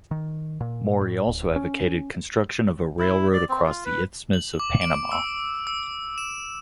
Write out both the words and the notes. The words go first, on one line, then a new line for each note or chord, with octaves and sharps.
Maury also advocated construction of a railroad across the Isthmus of Panama.
D#3
A#2
A2
D1
C#4
E4
D5
C4
F4
B4
F#7
D6
D7
E6
E6
E7